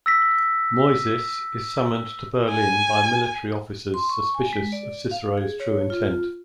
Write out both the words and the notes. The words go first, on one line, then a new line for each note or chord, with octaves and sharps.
Moyzisch is summoned to Berlin by military officers suspicious of Cicero's true intent.
E6 A#6 B6
G#5
C6
C#6
G#5
G#3
D5
F5
G#4
C#5
F4